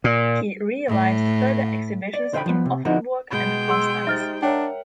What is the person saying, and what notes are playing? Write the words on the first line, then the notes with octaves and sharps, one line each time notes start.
He realised further exhibitions in Offenburg and Konstanz.
A#2
A2
D5
D3 C5 D5 E5 G5 B5
F3 B3
C3
D3 F3 D#4 E4 F#4
B2 G#3 G5 B5
G#4 C6 E6
D#4 G4 C5 E5 F6 A6
D4 A#4 C#5 E5 F#5 G5